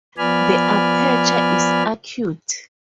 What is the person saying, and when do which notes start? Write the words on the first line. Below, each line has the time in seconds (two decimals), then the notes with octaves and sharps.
The aperture is acute.
0.18 F3 B3 D5 G#5 B5 F6